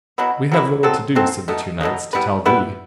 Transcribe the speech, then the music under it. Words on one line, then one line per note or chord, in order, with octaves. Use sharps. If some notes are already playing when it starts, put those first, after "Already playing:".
We have little to do, said the two knights, to tell thee.
B2 F#3 B3 E4
B2 F#3 B3 E4
F#3 C4 D#4 A4
F#3 C4 D#4 A4
B2 A3 D#4
B2 A3 D#4
G3 B3 E4 B4
G3 B3 E4 B4